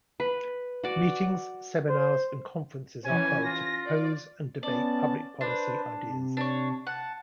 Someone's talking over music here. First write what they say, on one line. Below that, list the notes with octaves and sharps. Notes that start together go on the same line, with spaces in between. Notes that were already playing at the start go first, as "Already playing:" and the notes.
Meetings, seminars and conferences are held to propose and debate public policy ideas.
B4
F#4 D5
C5
E3 C#4 G#5
F4 A#6
D5
B3 C#4 D5 A5
D4 B4 C5
C3
D4 C#5
F#5 A5